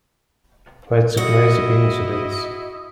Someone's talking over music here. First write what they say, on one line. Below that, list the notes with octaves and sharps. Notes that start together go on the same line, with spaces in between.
That's a crazy coincidence!
E4 F#4 D#5